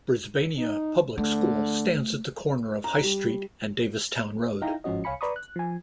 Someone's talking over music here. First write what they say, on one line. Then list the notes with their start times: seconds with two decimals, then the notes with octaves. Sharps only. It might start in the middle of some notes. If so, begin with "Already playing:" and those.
Brisbania Public School stands at the corner of High Street and Davistown Road.
0.58 D#4
1.18 D3 A3
2.84 A#5
3.03 G3
4.62 D#4 E4 F5 G5 A#5
4.84 G1 G#2 F3 C#4 F#4 D#5
5.04 C2 C#5 F5 G#5 B5 C#7
5.21 B4 D5 A#5 B5 C#6 D#6
5.36 F#6
5.56 F3 G#5